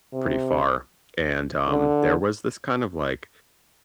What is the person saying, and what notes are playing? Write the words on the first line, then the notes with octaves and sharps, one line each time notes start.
pretty far, and, um, there was this kind of, like,
C3
D3